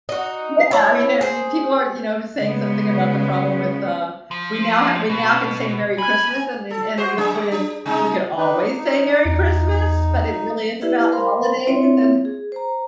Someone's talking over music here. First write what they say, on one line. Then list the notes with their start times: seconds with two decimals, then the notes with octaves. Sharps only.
yeah, you know, there people aren't, you know, saying something about the problem with, uh we now ha we now can say, "Merry Christmas," and and and the point is we could always say, "Merry Christmas," but it really is about holidays, and
0.09 D#4 F#4
0.71 E4 C#5
1.21 G#4 C5
2.37 C#3 G#3 B3
4.31 F3
5.09 B2
5.98 G#5 B5
6.70 A4
6.97 F#4 G#4 C5
7.18 F#3 D4 G#4
7.34 A3
7.52 D4
7.85 C3 G#3 D#4
8.37 D4 D#4 B4
8.78 D#4
9.25 E2
10.81 E4 G4 B4 D5 E5
11.12 A#4 C5 F5 G#5 B5 C6
11.67 C4 E4 F4 C#5 E5
12.25 G#4
12.52 C5 A#5